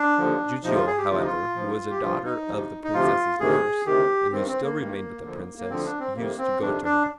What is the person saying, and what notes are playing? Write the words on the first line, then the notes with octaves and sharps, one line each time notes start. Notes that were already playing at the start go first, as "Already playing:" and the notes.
Jijiu, however, who was a daughter of the Princess's nurse, and who still remained with the Princess, used to go to her.
Already playing: D4
D#2 D3 F3
D2 C3 F3 D#4
F4
G#4
G4
D2 C3 F3 F4
D#4
F4
G2 F3
G4
G2 F3 F4
D#4
D2 C3 F3
D#4
D2 C3 F3 F4
D2 C3 D#3 G#4
D2 C3 D#3 G4
G2 D#3 C4
C4
A#3
G2 D#3
D2 D3 F3
A#3
D2 D3 F3 C4
D4
C4
F2 C3 D#3 A#3
C4
F2 C3 D#3 D4
D4